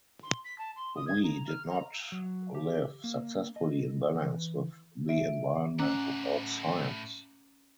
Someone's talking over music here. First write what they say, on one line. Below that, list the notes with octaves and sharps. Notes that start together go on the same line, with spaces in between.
We did not live successfully in balance with the environment without science.
C6
B6
A5
C6
D#6
G#6
A#5
F6
A#5
F#3
G4
A#3
D#5
E3
D4 E5 D7
A2 C#4 F#5 A#5 D6 F#6